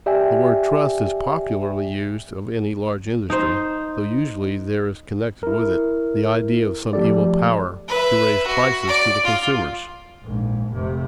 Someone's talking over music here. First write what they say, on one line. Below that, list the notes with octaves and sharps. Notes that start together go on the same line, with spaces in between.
The word trust is popularly used of any large industry, though usually there is connected with it the idea of some evil power to raise prices to the consumers.
G4 D5 E5 G5 G#5
D#4 C5
E4 A#4
F3 A3 G4 A4 D5
B4 E5
F#4
D5
F4
A#1 G#2
F1 C3